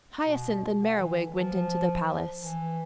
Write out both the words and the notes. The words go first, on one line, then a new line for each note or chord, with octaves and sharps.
Hyacinth and Merriwig went into the Palace.
B2
D3
E3
E3
F3
E3